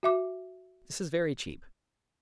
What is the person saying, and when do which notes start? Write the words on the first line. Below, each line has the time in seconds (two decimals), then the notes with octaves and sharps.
This is very cheap.
0.03 F#4 E5 D6